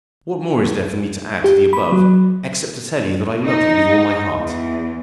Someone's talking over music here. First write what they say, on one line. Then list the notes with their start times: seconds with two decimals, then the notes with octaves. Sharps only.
What more is there for me to add to the above except to tell you that I love you with all my heart.
1.44 G4
1.73 B5
1.92 F#3
3.46 D#4
4.36 E2